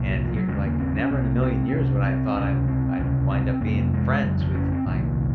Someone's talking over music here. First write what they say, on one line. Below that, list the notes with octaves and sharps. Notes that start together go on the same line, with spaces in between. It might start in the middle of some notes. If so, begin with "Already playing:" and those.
And he like, never in a million years would I have thought I'd I'd wind up being friends with my,
Already playing: C2 A#2
F3
F#3
D#2 C#3 G#3
A#3
C4
C#4
C2 C3 C4
A#3
C4
C4
C2 C3 C#4
C4
C#2 C3 C#4
C4
C#2 C3 C#4
C4
F2 C3 A#3
G#3
F2 C#3 F#3
F3
C#4
C4
C2 A#2 D#3